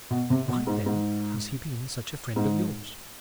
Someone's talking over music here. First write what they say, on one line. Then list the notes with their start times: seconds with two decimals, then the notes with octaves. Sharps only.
"Why, then, has he been such a friend of yours?"
0.10 B2
0.30 C3
0.48 B2
0.67 G#2
0.86 G#2
2.36 G#2